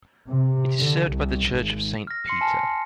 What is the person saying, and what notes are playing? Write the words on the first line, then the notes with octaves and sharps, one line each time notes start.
It is served by the Church of Saint Peter.
C3
D3
C2
G#1
F6 A#6
C6 A#6 C7 C#7
G#5 A5 F6